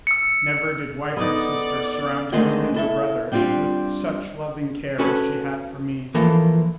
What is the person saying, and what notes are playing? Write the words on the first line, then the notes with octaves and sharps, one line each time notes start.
Never did wife or sister surround husband or brother with such loving care as she had for me.
E6 C#7
B3 D#4 A4 D5
D3 D#3 G#3 A3 C4
E4 A4 E5
G3 C4 D4 F4 G4
C#4 F#4 A4 B4
E3 F3 A#3 F4 A4